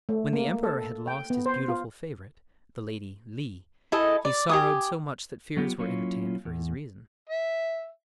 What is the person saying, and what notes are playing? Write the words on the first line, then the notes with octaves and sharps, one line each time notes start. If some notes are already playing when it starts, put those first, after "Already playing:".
When the Emperor had lost his beautiful favorite, the Lady Li, he sorrowed so much that fears were entertained for his reason.
A3
A#3
A4
G5
B3
C5
F4
E4 G#4 A4 D#5
D5
G4 G#5 D#6
F#3 A3 B3 F4 G4
F#3 A#3 C#4 E4 F4
E2
E5